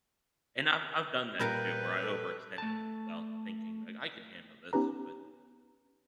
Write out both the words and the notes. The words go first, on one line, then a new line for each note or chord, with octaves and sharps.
And I've I've done that too, where I overextended myself, thinking, like, "I can handle this," but
A#2 G3 A#4 B4 F5 G6
A4
A3 A5
B3 C#4 D#4 G4 B4 A#5